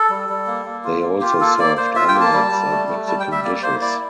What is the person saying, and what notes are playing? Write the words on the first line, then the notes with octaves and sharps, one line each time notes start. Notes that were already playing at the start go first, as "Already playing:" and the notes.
They also served omelettes and Mexican dishes.
Already playing: A4
G3
G3
A#3
A#3
F4
A#3
F4 G4
A#3 A4
A#3 D5
A#3 C5
F4 E5
G5
A#3
A5
G3
G3
A3
A3
G3 A5
G5
G3
E5
A#3 D5
D5
A#3 C5
E4 D5